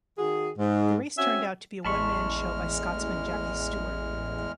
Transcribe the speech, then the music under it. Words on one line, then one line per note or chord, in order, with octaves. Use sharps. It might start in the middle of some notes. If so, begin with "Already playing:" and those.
The race turned out to be a one-man show by Scotsman Jackie Stewart.
D#3 F#4 G#4
G#2
C4 C#4 F#4 E5 G#5
A1 E2 G#3 A5 B5 C#6 F6